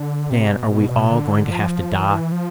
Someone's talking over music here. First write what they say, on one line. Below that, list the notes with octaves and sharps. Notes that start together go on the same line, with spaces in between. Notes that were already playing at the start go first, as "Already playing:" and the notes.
Dan, are we all going to have to die?
Already playing: D3
C3
B2
B2
B2
D3
F3
E3
F3